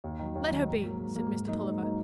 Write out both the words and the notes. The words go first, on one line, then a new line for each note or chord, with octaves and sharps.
"Let her be," said Mr. Tulliver.
D#2
D#3 F#3
D#2
D#3 F#3
G#2
F#3 A#3
G#2
F#3 A#3
G#2
F#3 A#3 D#4
G#2
F#3 A#3 D#4